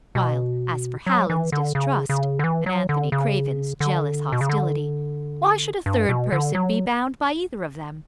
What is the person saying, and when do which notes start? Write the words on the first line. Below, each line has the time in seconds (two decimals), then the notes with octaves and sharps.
While, as for Hallin's distrust, and Anthony Craven's jealous hostility, why should a third person be bound by either of them?
0.15 B2
1.07 F#3
1.30 E3
1.52 D3
1.75 C#3
2.09 C#3
2.39 D3
2.44 E3
2.66 F#3
2.89 D3
3.12 C#3
3.80 D3
4.32 B2
4.41 C#3
4.49 D3
5.86 G2
6.09 B2
6.32 D3
6.55 F#3